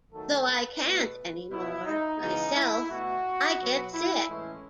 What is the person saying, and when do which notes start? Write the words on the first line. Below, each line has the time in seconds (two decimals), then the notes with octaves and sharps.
Though I can't anymore myself, I get sick!
0.11 D#3 F#3 A3 A4
0.46 B4
0.81 B2 A3
1.50 B2 F#3 B3 E4
1.86 D#4
2.20 C#3 E3 G#3 B3 D#4
2.55 E4
2.89 B2 A3 F#4
3.59 B2 F#3 B3
3.94 E4
4.28 A2 E3 G#3 C#4